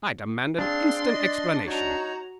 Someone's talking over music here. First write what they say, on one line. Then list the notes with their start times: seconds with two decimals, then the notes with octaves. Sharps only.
I demand an instant explanation.'
0.59 C4 D4 G#4 F5 C6
1.07 D5 D#5
1.67 D#4 F#4 C#5 A#5